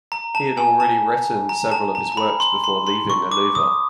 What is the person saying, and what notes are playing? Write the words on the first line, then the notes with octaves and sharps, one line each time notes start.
He had already written several of his works before leaving Aluva.
A#5
A5
G#5
A5
A#5
A5
A#5
A#5
B5
C6
C6
C6
C#6
D6
D#6